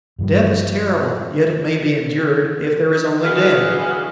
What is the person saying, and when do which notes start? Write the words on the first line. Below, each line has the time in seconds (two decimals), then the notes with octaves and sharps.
Death is terrible; yet it may be endured--if there is only death.
0.19 G2 F3 G3
3.24 D3 E3 G#3 B3 F#4 F5